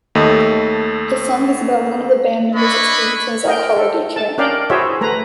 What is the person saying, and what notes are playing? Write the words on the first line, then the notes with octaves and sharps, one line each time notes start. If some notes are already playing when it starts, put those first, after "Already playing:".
The song is about one of the band members' experiences at a holiday camp.
D#2 A3 D#5
D4 E4 D#5 B5 C#6
A#4 D#5 G5
A4
A5
C#4 D4 A#4 D5 F5 G5
E4 F#4 G#4 C5 C#5 E5
A3 B4 A#5